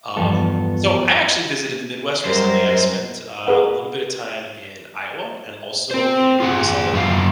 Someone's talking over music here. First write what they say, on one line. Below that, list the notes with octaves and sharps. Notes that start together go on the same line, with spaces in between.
Um, so I actually visited the Midwest recently. I spent, uh, a little bit of time in Iowa and also in Minnesota,
E2 G2 F3 B3 A4
F#2 G3 A#4 C5
G#4 A#4 B4 F#5
C4 C5
F4 G#4 F#5
F#2 F#4 F5